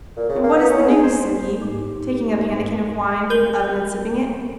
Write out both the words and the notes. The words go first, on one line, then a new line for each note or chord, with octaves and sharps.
"And what is the news?" said he, taking a pannikin of wine from the oven and sipping it.
A#2
C#3
A#3
B3
C#4
G#4
C5
G#2 G4
A#4 G6 G7